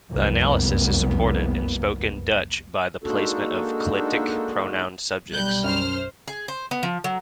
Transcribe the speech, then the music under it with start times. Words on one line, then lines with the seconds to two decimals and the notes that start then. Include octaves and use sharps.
The analysis is supported in spoken Dutch by the placement of clitic pronoun subjects.
0.12 F1 C2 F#2 A#3 B3
3.04 G#3 A#3 D4 D#4 F#4 A4
5.30 B1 G3 F#6 G6
5.64 F#2 C5 F6
6.28 G#4
6.48 C5
6.71 B3
6.83 F3
7.04 F#3